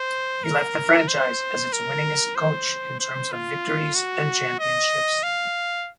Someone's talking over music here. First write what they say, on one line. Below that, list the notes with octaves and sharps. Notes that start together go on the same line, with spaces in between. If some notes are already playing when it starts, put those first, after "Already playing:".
He left the franchise as its winningest coach in terms of victories and championships.
Already playing: C5
A#4
C5
A#4
C5
C5
F4
F#4
D#5
F5